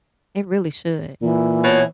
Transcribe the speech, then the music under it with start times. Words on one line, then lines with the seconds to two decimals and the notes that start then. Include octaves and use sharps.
It really should.
1.22 A#2 E3
1.64 B2 C#5